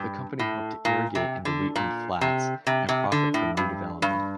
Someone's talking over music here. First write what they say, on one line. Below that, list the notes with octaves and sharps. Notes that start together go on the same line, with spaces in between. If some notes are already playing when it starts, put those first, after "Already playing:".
The company hoped to irrigate in the Wheatland Flats and profit from new development.
Already playing: G2
A2
A#2
C3
D3
A#2
C3
C3
C3
D3
A2
G2
G2